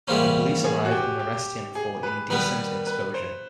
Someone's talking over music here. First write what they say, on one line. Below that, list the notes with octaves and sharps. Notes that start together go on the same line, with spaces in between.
The police arrive and arrest him for indecent exposure.
G#2 E3 G3 A#3 C#4 C5
G#4
F#4
G4
G4
G#4
B4
D#3 G3 B3 B4
B4
C5